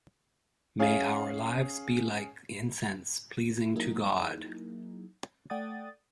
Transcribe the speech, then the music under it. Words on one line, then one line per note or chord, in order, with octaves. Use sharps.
May our lives be like incense pleasing to God.
C#4 G#4 F5
F#3 A#3 D#4 E4 G#4
A3 D5 F#5 G5 D#6 A6